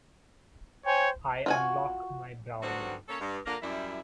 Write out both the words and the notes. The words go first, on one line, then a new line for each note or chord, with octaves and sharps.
I unlock my Browning!
C5 C#5 G5 G#5
F4 F#4 G#5
D3 F#3 G3 B3 C4 F#4
A#3 C#4 A4 C#5
G2
D3 A#3 D4 F4 A#4
F#2 G3 E4